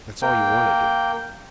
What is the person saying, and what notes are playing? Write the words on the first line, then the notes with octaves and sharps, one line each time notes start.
"That's all you want to do."
A#3 G5